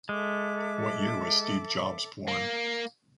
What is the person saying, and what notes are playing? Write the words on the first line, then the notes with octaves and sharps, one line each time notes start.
What year was Steve Jobs born?
G#3 A4 E5 D6
A#3